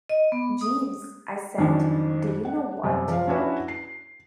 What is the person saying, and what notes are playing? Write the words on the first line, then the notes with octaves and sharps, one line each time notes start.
"Jeeves," I said, "do you know what?"
D#5
B3
D#6
F2 D#3 F#3 C#4 D4
F#5
F#2 C3 G3
F3 F5
C#4 D4 E4 F#4 B4
C7